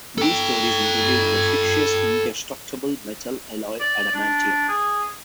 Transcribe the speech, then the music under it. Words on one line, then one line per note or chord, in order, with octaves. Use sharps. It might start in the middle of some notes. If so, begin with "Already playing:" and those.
These stories introduced the fictitious indestructible metal alloy adamantium.
A4 G5
D5
D4
G#4